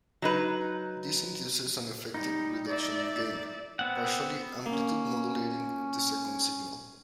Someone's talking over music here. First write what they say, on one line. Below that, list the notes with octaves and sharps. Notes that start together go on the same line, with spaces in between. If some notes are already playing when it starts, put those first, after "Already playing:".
This induces an effective reduction in gain, partially amplitude-modulating the second signal.
F#3 D#4 B4
G3 D#4
D5 E5
B3 C4 F#5
A#3 C#4